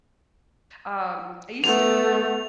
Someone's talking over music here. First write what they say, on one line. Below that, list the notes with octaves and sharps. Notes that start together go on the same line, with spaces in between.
um, I used to
A3 B3 F7